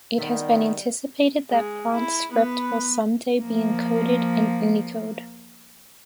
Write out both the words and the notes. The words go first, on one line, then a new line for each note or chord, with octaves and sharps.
It has been anticipated that Bronze script will some day be encoded in Unicode.
D#3 G3 B3 E5
G#3
E4
B3 B4
F3 A#3